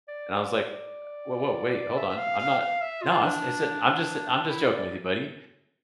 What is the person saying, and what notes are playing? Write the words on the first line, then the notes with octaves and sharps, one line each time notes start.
And I was like, uh, "Woah, woah, wait, hold on, I'm not no," I s I said, "I'm just I'm just joking with you, buddy,"
D5
E5
E5
F5
F5
F5
E5
F4
D4
E4
D5